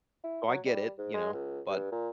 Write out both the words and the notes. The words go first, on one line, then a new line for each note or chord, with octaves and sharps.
so I get it, you know, but,
E4
F#3
G3
G#2
G#3
C#2
G2
A#2